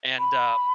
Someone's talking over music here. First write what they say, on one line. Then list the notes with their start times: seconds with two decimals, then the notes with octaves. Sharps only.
and, um
0.18 B5